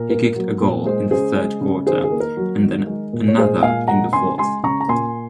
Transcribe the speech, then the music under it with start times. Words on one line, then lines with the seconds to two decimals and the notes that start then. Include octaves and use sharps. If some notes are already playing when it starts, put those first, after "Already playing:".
He kicked a goal in the third quarter and then another in the fourth.
Already playing: A#2 A#4
0.10 A#3
0.36 F#3
0.61 A#2
0.86 G#3 G#4 C5
1.11 C#3 G#4 C5
1.36 G#3
1.61 C#3
1.87 D#3 G#4 C5
2.04 G#4
2.11 A#3
2.20 A#4
2.37 F#3
2.63 D#3
2.87 G#3
3.13 A#2
3.28 C#5
3.38 G#3 G#4 C5
3.63 A#2 F5 G#5
3.88 G#3 F#5 A#5
4.13 C#3 G#5 C6
4.38 G#3 G#5 C6
4.63 C#3 A#5 C#6
4.81 A#5
4.88 A#2 G#5 C6